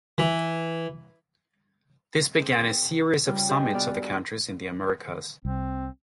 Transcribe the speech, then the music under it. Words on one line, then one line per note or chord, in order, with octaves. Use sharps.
This began a series of Summits of the countries in The Americas.
E3
C4 G#4
C#3 G3 F4
D4 G4 G#4 C5 D#5 G#5
B3 F#4 D5 F5
C2 C4